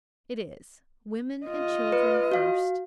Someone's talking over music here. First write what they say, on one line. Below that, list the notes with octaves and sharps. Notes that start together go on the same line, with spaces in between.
It is, "Women and children first!"
F4 D#5
B4
F#4 F5